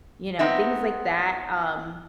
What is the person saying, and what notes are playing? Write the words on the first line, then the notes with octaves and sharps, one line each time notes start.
you know, things like that, um,
B3 C4 D#4 E5